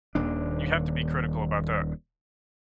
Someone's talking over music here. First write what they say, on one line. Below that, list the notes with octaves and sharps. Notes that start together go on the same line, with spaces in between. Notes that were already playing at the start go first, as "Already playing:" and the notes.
you have to be critical about that.
D#1 D#2 D4